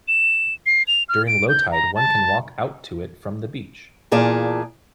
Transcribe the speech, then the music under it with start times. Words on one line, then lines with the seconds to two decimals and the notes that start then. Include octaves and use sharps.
During low tide, one can walk out to it from the beach.
0.08 E7
0.66 C7
0.88 F7
1.09 F6
1.28 D7
1.49 G6
1.71 A#5
1.95 A5
4.11 E2 A#2 G#4 D5 F5 A5